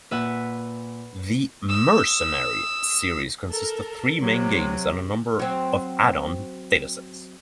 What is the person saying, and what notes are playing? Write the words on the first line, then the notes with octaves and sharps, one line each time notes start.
The "Mercenary" series consists of three main games and a number of add-on datasets.
A#2 B4 E5 F#5
D#6 E6
A4 A#4
C3 F#3
F#3 C4